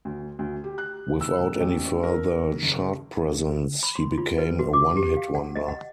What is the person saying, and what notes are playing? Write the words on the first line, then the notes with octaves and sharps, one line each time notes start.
Without any further chart presence, he became a one-hit wonder.
D2
D2
G4
F#6
E6
E1
A1
A#4
F#1
B5
C6
F4
B4
F#4
D6
G4
F5
F#5
D#5
F#5